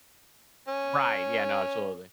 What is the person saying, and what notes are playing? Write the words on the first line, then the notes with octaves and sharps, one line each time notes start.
Right, yeah, no, absolutely.
C#4